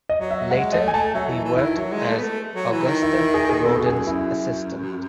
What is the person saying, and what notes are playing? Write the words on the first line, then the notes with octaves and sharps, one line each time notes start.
Later he worked as Auguste Rodin's assistant.
D#5
F#3
E5
G#3 F#5
A3 D#5
G#5
A3 A5
F#3 E5
E3
E3
E3 E4
D#3
F#3
G#3
A3
B3
A3
F#3
E3
D#3
E4
E4
G#4
G#4
B2 A4
F#4
F#2 G#4
F#2 E4